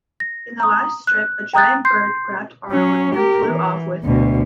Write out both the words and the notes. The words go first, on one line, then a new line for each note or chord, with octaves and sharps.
In the last strip, a giant bird grabbed Arnold and flew off with him.
A#6
A#5 D#6
F#6
G5 A#5 D#6 F#6 A6
C6 G6 C7
F#3 C#4
G4 A#4
E3
D2 B2